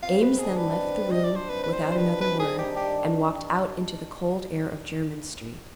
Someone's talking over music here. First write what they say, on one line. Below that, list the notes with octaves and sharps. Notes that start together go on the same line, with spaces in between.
Eames then left the room without another word, and walked out into the cold air of Jermyn Street.
C3 F5
B4
D#3 G3 D4 G#4
B4
C3
D#3 G3 D4 D#5
D5
C5
C3 B4
B4
C5
D#3 G3 D4
C5
B4
C3 B4
G#4
D#3 G3 D4 G4
G4